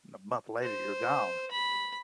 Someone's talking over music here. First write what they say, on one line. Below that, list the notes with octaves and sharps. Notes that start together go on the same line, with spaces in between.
and a month later you're gone,
C5
B5